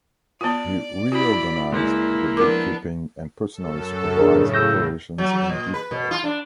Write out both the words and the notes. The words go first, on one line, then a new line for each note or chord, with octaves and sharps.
He reorganized the bookkeeping and personally supervised operations in detail.
B3 F4 D5
E4 F#4 B5
C#2 A#3 E4
F3 B3 D4 A#4 D6
F#2 A4
A2 C#3 D4 G#4 A#4
E6 G6 A#6
F#3
F#3
A#2
B4
B2
F4
D4